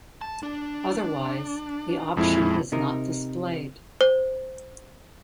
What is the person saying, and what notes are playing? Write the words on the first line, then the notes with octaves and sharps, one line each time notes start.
Otherwise, the option is not displayed.
A5
D4
F2 A#2 G#3 E4
C3 D#4 A#4
C5